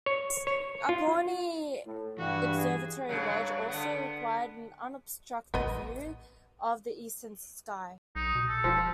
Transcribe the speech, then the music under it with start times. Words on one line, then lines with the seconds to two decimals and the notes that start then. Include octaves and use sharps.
A Pawnee observatory-lodge also required an unobstructed view of the eastern sky.
0.06 C#5
0.47 C#5
0.89 F4
1.86 A2
2.18 G2 E3 F#4
2.58 G#4
3.09 G2 C#3 F#3
3.68 D3 B3
5.54 A1 B3 D#5
8.16 B1 D#4
8.35 B2
8.48 A4
8.64 E1 F3